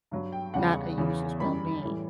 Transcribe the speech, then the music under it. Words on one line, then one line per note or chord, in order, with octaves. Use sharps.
not a user's well-being.
G2 F#3
G5
E2 C#3 G3 F#5
E2 C#3 E3
F#2 E3 G3 B5
A2 E3 G3